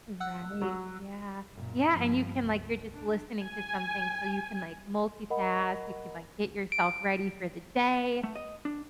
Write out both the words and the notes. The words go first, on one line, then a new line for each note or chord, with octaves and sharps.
Right, yeah yeah, and you can like, you're just listening to something, so, you can, like, multitask, you can, like, get yourself ready for the day.
F#5 E6 F#6
F#3
F#2 A#2
G2 F3
C#2
D4
G#5
A#4 D#5 F#5 B5
D7
A3
D#5
D4